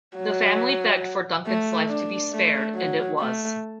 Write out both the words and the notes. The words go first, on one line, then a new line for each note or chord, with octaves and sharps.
The family begged for Duncan's life to be spared and it was.
F#3
A3
D4
A3
F#3
A3